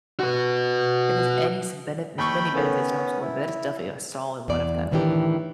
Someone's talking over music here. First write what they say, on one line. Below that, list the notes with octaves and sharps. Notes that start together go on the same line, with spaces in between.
if there's any some benefit there's many benefits to homeschooling, but that is definitely a solid one of them.
F#4 B4
D#2 G5 B5 C#6
D#3 A3 B3 C#4
E4
E2 D5
A2 D#3 E3 D4 G4